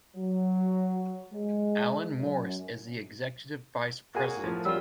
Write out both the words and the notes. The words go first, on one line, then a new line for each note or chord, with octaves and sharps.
Alan Morris is the executive vice president.
F#3
G#3
F#2
A#3 F#4 G#4 G#5
F#4
A2 F3
F#3 G3 F4 E6